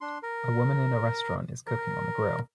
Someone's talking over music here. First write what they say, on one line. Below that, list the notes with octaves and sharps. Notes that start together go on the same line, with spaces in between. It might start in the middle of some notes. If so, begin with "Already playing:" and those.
A woman in a restaurant is cooking on a grill.
D4 C6
A#4
A#4